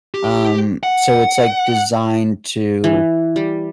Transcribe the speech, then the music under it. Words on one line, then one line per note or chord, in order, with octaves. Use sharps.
um, so it's, like, designed to,
G4
F#5
E3
G3